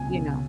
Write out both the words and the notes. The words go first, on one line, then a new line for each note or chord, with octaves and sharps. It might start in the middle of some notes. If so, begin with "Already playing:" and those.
you know,
Already playing: C#2 B2 G#5